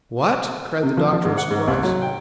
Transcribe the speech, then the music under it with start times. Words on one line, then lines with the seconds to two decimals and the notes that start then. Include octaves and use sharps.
"What?" cried the doctor in surprise.
0.83 C3
0.97 F3
1.12 F3
1.25 G#2
1.38 F#5
1.51 G#2
1.68 C2
1.83 F#3
2.02 G5